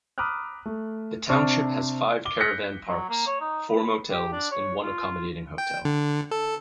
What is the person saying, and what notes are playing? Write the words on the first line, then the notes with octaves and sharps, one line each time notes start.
The township has five caravan parks, four motels and one accommodating hotel.
A#5 B5 D6 D#6 F6 F#6
A3
C3 C4 D4 A5 C#6 F6
D6 G7
F#6 G6 A#6 B6 C#7
F#3
A#3
C#5
D#4
B4
G4
D4
C#5
F4
G5
D3
A4